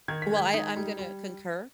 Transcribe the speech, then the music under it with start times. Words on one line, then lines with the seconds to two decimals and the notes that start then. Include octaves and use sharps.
Well, I I'm gonna concur.
0.08 D#3 G#6
0.22 B6
0.31 G#3
0.37 G#6
0.54 D#4 B6
0.77 G3
0.99 G3